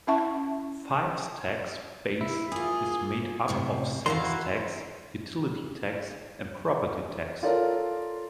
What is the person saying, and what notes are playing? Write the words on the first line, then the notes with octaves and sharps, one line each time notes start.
Fife's tax base is made up of sales tax, utility tax, and property tax.
C#4 E4 E5 F#5 A5 C#6
E4
A#3 F4 G#4
F#2 A2 C3
E2 E4 F#4 F5 A#5 C6
F4 A4 A#4 C#5 D5